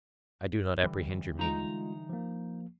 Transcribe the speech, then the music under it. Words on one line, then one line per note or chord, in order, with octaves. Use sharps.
I do not apprehend your meaning.
D3 E3 G3
G#3 D#4 F4 A#5
F3 A#3